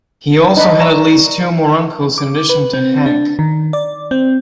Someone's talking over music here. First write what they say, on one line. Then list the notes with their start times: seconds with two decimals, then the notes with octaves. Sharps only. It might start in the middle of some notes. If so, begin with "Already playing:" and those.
He also had at least two more uncles in addition to Hank.
0.57 D4 D#4 B4 D#5
0.80 D5 A#5 C#6 E7
2.18 D6
2.49 B4
2.73 C4
3.06 D4
3.39 D#3
3.73 D5
4.11 C4